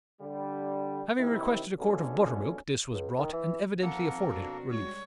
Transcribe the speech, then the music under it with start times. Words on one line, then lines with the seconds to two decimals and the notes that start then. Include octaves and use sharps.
Having requested a quart of buttermilk this was brought and evidently afforded relief.
0.21 D3 G3
1.19 A#1 C3 D#3 D#4 E4
1.79 F2 G#2 B2 D3 A3 C#4
2.93 C#2
3.19 D#3
3.33 E3
3.82 D#3 F3 A#3 C4 A4 A#4 F#5
4.29 B2 C4 D4 F#4
4.70 G3 G#3 C#5